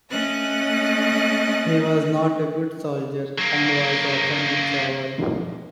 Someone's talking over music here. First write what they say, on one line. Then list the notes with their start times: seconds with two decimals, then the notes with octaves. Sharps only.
He was not a good soldier, and was often in trouble.
0.11 A3 C#4 D#5 F#6 A6
3.38 F#3 A#3